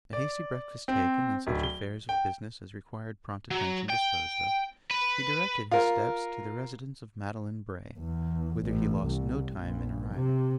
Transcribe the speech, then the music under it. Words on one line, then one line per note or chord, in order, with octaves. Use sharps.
A hasty breakfast taken, and such affairs of business as required prompt attention disposed of, he directed his steps to the residence of Madeline Bray: whither he lost no time in arriving.
D5
C4
D1
G7
G5
F#3
G5
B4
F4 A#4
E2
A1
C2
A#1
C3